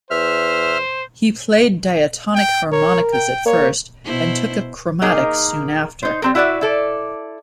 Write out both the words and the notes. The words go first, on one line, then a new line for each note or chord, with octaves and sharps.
He played diatonic harmonicas at first, and took up chromatic soon after.
E2 C5 E5 F6
G5
A#4 C#5
G5
A#3 C#5
B2 E4 C5
A#3 D#4 G#4 A#4 D#5
D#4 C5
G3 C4 A#4
E4 F#4 D5 E5 F#5
E4 A4 D5